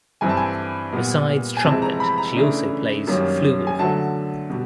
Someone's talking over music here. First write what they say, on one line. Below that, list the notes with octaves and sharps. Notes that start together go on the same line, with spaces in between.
Besides trumpet she also plays flugelhorn.
G2 E3 G3 C4 G#5
A5
G#5
A#2 G3 B3
G#5
F2 C3 E3 G#3 C4 A5
A#5
B5
A#5
C#3 E3 A3 D4
F#2 D#3 G3 A#3 C#4
G#5
D3 F#3 A3 A5
B2 G3